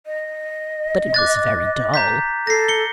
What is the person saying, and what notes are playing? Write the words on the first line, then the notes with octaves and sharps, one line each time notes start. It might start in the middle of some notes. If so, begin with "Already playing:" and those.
But it was very dull.
D#5
D6 F#6 A6
A#5 G6 B6
A4 A#6 C7
C#7 G7